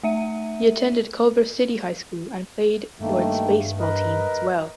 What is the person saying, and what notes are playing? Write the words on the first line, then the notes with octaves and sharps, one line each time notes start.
He attended Culver City High School and played for its baseball team as well.
A3 E5 D#7
G2 D#3 A3 A#3
A#4 B4 D#5